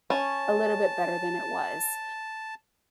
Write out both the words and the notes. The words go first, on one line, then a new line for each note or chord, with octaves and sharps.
a little bit better than it was.
C#4 A5